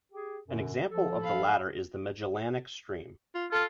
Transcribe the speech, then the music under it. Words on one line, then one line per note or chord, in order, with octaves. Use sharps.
An example of the latter is the Magellanic Stream.
G4 G#4
F#2 B2 D3
F3 A4
F5 B5
F4
F4 A4